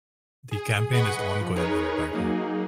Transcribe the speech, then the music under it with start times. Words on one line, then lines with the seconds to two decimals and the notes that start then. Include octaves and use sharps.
The campaign is ongoing in Brighton.
0.51 G#4
0.92 G#4 B4 D#5 F#5 B5 C#6
1.41 F3
1.56 D#4 G#4 A#4 B4 C#5
2.12 F#3 A#3 D#4 G#4